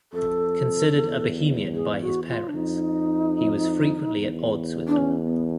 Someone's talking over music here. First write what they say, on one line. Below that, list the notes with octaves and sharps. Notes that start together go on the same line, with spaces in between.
Considered a bohemian by his parents, he was frequently at odds with them.
F2 A4
E2
G#4
F#4
F4
D4
F2 D#4
E2
D4
C#4
B3